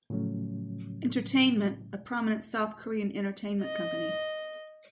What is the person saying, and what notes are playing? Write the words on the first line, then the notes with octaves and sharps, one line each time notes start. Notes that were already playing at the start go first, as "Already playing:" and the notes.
Entertainment, a prominent South Korean entertainment company.
A2 C#3 F3 F#3 A3 C#4
D#5